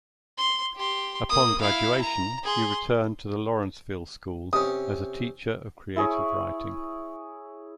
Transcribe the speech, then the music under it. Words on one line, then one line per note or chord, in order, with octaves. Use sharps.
Upon graduation, he returned to the Lawrenceville School as a teacher of creative writing.
C6
G4 C6
A#3 D#6
E4 F5
A#5
G#4 C6
C3 C#4 D#6
E4 G#4 C#5